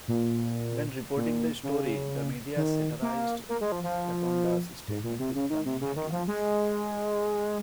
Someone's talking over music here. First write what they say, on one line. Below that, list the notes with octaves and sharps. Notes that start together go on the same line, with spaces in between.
When reporting the story, the media satirised Chaponda's statement with punning headlines.
A#2
A#2
C#3
D#3
A#3
A#3
G#3
F3
F3
G#2
A#2
C3
C#3
D#3
C3
C#3
D#3
F3
G#3